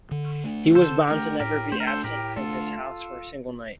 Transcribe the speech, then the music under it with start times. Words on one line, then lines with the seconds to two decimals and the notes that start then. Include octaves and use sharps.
He was bound to never be absent from his house for a single night.
0.11 D3
0.44 A3 D4
0.75 D3 A4 C5
1.07 A3 D4 G4 A#4
1.40 A2 G4 A#4
1.72 A3 D4 C5
1.80 A#4
1.87 A4 C5
2.04 A2 G4 A#4
2.36 A3 D4 F4 A4